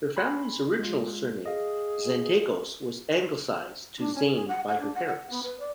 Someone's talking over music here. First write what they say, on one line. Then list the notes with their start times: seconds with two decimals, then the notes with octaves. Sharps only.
Her family's original surname, "Zanetakos", was anglicized to "Zane" by her parents.
0.16 G#5 B5 C6
0.79 G#3 F4
1.46 G#4 D#5 F5
3.98 D4
4.15 C#4
4.34 G#4
4.48 F#5
4.68 F#5
4.79 D4
4.94 F#5
5.06 F#5
5.30 B3
5.43 B4
5.59 D5